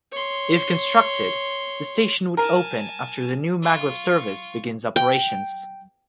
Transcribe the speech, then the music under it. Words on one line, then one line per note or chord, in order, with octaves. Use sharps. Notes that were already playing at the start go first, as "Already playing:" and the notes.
If constructed, the station would open after the new maglev service begins operations.
C#5 C6
A#4 G#5 A5
F4 C#6
G5